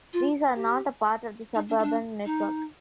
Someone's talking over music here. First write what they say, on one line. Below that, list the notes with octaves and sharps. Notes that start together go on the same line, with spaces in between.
These are not a part of the suburban network.
F4
G4
D#4
D4
D#4
D4
D#4